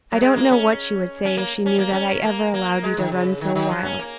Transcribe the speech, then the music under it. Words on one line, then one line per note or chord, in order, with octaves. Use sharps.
I don't know what she would say if she knew that I ever allowed you to run so wild.
F#3
G#3
A#3
C#4
C#4
A#3
C#4
A#3
C#4
A#3
A#3
G#3
D#3
C#3
D#3
D#3
F#3
C#4
A#3